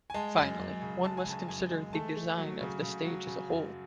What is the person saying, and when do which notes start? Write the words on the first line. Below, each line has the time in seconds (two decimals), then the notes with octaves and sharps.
Finally, one must consider the design of the stage as a whole.
0.10 G#5
0.14 G#3 A5
0.38 F#2
0.59 F#2
0.82 C#3
1.04 G#3 A5
1.17 G#5
1.26 C#3 A5
1.48 F#2 G#5
1.71 G#3
1.93 A3 A5
2.17 A3
2.38 F#3
2.61 C#3
2.82 C#3
3.05 F#3
3.27 C#3
3.49 F#2